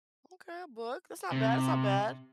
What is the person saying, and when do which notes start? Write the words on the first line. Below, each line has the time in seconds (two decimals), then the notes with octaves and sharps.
Okay, a book, that's not bad, that's not bad.
1.32 C3